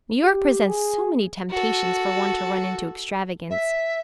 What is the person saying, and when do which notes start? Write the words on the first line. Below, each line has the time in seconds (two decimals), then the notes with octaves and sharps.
New York presents so many temptations for one to run into extravagance.
0.24 G4
0.67 G#4
1.50 F#4 A4
3.50 E5